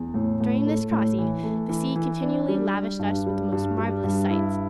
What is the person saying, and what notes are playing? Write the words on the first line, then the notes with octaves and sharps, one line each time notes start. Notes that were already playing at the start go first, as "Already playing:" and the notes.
During this crossing, the sea continually lavished us with the most marvelous sights.
Already playing: E2
A2
A2
A3
A2
E3
A3
E3
E3
D4
G3
G4
G2
G3
G2
G3
G2
E4